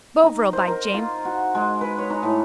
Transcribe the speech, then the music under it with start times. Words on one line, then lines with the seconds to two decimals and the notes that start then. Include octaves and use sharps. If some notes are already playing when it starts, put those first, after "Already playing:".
Bovril, by James.
0.24 D#4
0.53 C5
0.68 A#4
0.94 F4
1.25 F#4
1.55 G#3
1.81 B4
1.98 C#5
2.10 D#4
2.23 A2